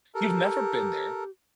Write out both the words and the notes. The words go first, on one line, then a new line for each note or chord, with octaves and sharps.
you've never been there,
G4 A4 A#4